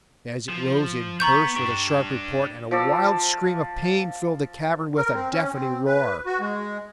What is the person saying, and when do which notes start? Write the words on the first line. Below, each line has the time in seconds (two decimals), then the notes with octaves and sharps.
As it rose it burst with a sharp report, and a wild scream of pain filled the cavern with a deafening roar.
0.49 F3
1.20 B3 A#5 C#6 G6
1.56 D4 G4 C#6
2.71 F3 D5 E6
4.97 A#4
5.14 C4
5.32 C#4
5.53 C4
5.86 B4
6.26 F#4
6.40 G#3